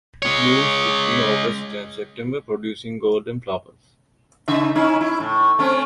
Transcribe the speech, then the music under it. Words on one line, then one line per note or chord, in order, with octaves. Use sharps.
It blooms between August and September producing golden flowers.
G#3 C#5
C#3 D#4 E5
C#4 D#4 E4
E4
A2
A3 C4 C#4